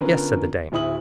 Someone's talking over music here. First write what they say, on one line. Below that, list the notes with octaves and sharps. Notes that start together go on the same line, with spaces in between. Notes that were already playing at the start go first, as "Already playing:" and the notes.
"Yes," said the dame.
D3 B3 C#4 F4 A#4 B4
D1 D2 E4 D#6 F#7